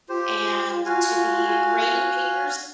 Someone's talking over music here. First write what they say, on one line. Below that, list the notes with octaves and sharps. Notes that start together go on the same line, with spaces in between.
and to be grading papers.
F4 G4 C5
F#4 F5 G#5